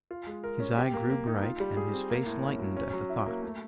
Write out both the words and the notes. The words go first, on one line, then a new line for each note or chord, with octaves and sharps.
His eye grew bright, and his face lightened at the thought.
F4
G#3
A#4
C#4
G4
A#3
A#3
D#4
F4
G3
G#4
C4
A#3
A2
C#4
F#3
C#4
F#3
E4
A#3
A3